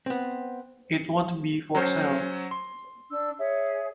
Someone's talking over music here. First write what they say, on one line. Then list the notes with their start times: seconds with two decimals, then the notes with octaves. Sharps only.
It won't be for sale.
0.06 B3 C4
1.75 F#3 C#4 C5
2.51 C6
3.11 D4 E6
3.39 G#4 C#5 E5